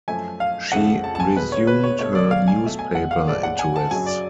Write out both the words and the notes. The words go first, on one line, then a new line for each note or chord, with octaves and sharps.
She resumed her newspaper interests.
F#2 F3 A3 G#5
F5
F2 C#3 F3 A3 F#5
A5
A5
G#5
B2 G#3 B4
C#5
B4
C#5
B2 A3 C#5
D5
F5
G#5
B2 A3
G#5
F#5
F5
A2 F3 G#3 D5
F#5
G#5
A5
F#2 C#3 F#3 G#5
D5